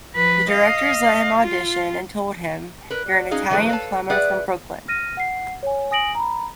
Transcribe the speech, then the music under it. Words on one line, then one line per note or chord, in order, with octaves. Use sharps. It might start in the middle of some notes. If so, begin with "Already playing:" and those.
The directors let him audition and told him, "You're an Italian plumber from Brooklyn".
F3 B4
D#5 F5
F4
A#4 B4
G3
C#4 D#4 F#4 G#4 F5
D3 E3 F#3 A3 G#4 B4
A4 B4 C#5 D#5 F5 A5
G#4 B4 D5 E5 F#5
F6 A#6 D#7
F#5 C7
C#5 G#5
G#5 D#6 A#6 D7 F#7
A#5 B5